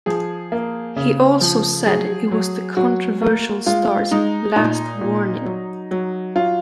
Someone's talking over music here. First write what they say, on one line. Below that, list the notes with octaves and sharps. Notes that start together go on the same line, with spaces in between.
He also said it was the controversial star's last warning.
F3 G#4
A#3
C#3
F3
F#3 G#4
F#3
F#3 F#4
A#3
G#3 F4
G#3 D#4
A#2 D#4
A#2
F#3
F#3
F#3 F4